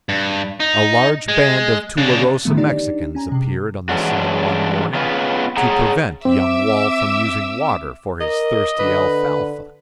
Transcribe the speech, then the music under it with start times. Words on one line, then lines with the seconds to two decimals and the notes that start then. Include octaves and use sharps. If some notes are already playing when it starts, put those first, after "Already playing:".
A large band of Tularosa Mexicans appeared on the scene one morning, to prevent young Wall from using water for his thirsty alfalfa.
0.09 G2
0.60 D#4
1.28 G#3
1.98 C#3 D4
2.45 A2 D3 D#3 F3 A3 B3
2.57 D4 D#4 G4 D5
3.15 C#4 G#5 A#5
3.29 C3 G#3
3.89 E3 F#3 G#3 C#4 D4 F#4
4.95 B3 C#4 F4 G#4 B4
5.57 G#4 C#5 F#5 A#5
6.25 C4 E5 D6 E6
8.21 A#4 D#5
8.79 D3 B4